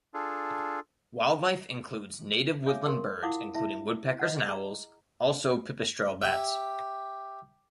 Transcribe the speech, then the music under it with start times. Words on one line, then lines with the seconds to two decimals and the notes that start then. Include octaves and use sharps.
Wildlife includes native woodland birds including woodpeckers and owls, also pipistrelle bats.
0.14 D4 F4 G#4 A4
2.66 C#5 E5 F5 G#5 D6
2.86 G4 G#4 A#4 C6
3.23 E4 F4 F5 F#5 D6 D#6
3.54 E4 E5
4.19 D#5 F#5
4.48 G#4 A#5
6.22 G4 E5